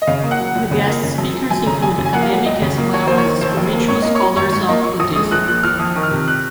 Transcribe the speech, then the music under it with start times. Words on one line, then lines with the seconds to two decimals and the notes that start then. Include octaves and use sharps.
The guest speakers include academic as well as spiritual scholars of Buddhism.
0.02 D#5
0.07 C#3 F5
0.23 A#3
0.31 F#5
0.39 F#3
0.55 C#2
0.71 C#3
0.87 A#3
1.03 C#3
1.18 F#2
1.34 F3
1.50 F#2 G#5
1.66 C#3 A#5
1.82 F#2 G#5
1.98 C#3
2.05 G#5
2.14 A#3 F#5
2.23 F5
2.30 F#3
2.46 C#2 D#5
2.62 C#3
2.78 A#3
2.93 D#2 C#5
3.07 A#3 C5
3.18 C#5
3.25 D#3
3.41 F1 C5
3.57 D#2
3.73 A#3
3.88 G#2 C#5
4.02 A#3 D#5
4.15 C#5
4.21 F#3
4.36 G#1 C#5
4.52 G#2 C#5
4.69 A#3 D#5
4.84 A#2 C#6
5.00 A#1 D#6
5.16 G#3 D#6
5.32 A#1 F#6
5.48 A#2 F#6
5.63 A#1 F6
5.79 F2 D#6
5.96 D#3
6.03 F6
6.11 C3
6.28 F#6